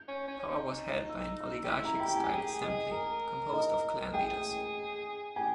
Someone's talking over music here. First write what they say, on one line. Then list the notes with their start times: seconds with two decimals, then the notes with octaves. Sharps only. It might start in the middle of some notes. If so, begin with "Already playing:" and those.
Power was held by an oligarchic-style assembly, composed of clan leaders.
Already playing: G6
0.08 C#4
0.28 C#4
0.40 C#4
0.49 D#4
1.09 E6
1.40 E6
1.64 G4
1.70 E4 E6
1.85 A#5
2.00 G4 G5
2.16 G#5
2.24 G4
2.31 G#4 G5
2.62 G#4 D#5
2.92 A#4
3.53 D#5
4.14 G#4 G5
5.36 G4 G#5